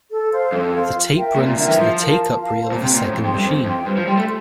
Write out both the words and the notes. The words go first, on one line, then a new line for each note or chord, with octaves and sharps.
The tape runs to the take-up reel of a second machine.
A4
C5 F5
F2 A4
C5 F5
F4
A#4 E5 G5
A#2 F4
A#2
D3 A#4 E5 G5
E3
F3 F4
A#4 F5 A5
F4
A#4 F5 A5
C5
A#2
C3 G5 C6
A#2
A2 C5
F2
F2 G5 C6
G2
F2 C5
F2 G5 C6
G2 C5
F3
G3 G5 C6
A3